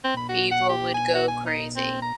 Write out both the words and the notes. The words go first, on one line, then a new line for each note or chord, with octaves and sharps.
People would go crazy.
C4
B5
F#4
F#5
G4
G#5
F#4
G#5
D#4
C4
A#5